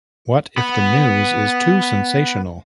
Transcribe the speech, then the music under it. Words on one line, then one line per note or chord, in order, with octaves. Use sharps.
What if the news is too sensational?
B3 B5